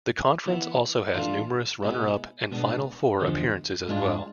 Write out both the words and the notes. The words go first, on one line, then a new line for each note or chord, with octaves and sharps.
The conference also has numerous runner-up and final four appearances as well.
E3 B3 E4
A2 E3 A3 D4 F4
B2 G#3 B3 E4
B2 G#3 B3 D4
E2 D3 F3 G#3
G#2 G#3 D4 F4